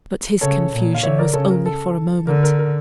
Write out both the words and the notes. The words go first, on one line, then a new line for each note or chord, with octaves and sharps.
But his confusion was only for a moment.
C#3 A4 C#5
A#2
F5
D3 C#5 E5
A#4 D5
C#3 A4 C#5
A#4
A4
D3 A#4
A#4
A#4